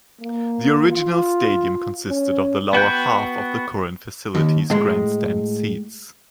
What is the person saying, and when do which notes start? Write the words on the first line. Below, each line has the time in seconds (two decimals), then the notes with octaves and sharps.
The original stadium consisted of the lower half of the current facility's grandstand seats.
0.21 A#3
0.89 F4
2.09 C#4
2.73 B3 F#4 G5 G6
4.35 D#2
4.70 A2 G#3